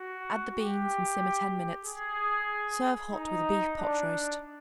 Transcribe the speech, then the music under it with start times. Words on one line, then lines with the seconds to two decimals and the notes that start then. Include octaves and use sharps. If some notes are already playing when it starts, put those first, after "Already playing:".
Add the beans and simmer ten minutes. Serve hot with a beef pot roast.
Already playing: F#4
0.57 G4
1.85 G#4
3.12 D#4
3.77 D4